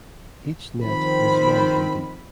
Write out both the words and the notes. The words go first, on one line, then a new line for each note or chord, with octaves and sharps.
Each net was long and deep.
D#3 F3 C4 B5